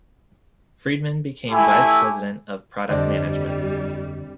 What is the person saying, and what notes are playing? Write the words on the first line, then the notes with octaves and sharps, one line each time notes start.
Friedman became Vice President of Product Management.
A3 E4 G4 G#5
G1 F2 D3 G3 C4 D4 D#5